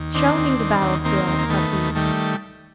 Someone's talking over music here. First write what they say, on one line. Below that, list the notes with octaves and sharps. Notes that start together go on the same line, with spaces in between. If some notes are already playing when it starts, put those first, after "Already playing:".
'Show me the battle-field,' said he.
Already playing: D#2
D#3 C4 D4
D#2
D#3
D#2
D#3 A#3 C4
D#2
A#3
D#3 A3 B3
D#2
D#3 G3 A3